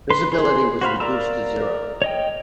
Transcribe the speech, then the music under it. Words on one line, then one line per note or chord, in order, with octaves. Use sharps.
Visibility was reduced to zero.
B4 C6
G#4 C5 C6
F#4 C5 F5 B5
A#4 D5 F5 A#5 E6
C#5 D#5 G5